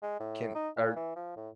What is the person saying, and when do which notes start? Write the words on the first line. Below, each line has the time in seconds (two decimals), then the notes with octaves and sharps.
can, uh,
0.03 G#3
0.20 A2
0.55 D#4
0.76 A#2
0.96 E3
1.16 F3
1.36 A2